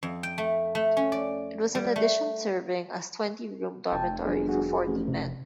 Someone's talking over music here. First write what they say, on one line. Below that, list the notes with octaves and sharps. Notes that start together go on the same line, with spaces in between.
It was an addition serving as a twenty-room dormitory for forty men.
F2
G5
A3
A3
C#4
D5
G3
A3
F1 G5 A5
G1 G#4
F#4 G#4
A1
C3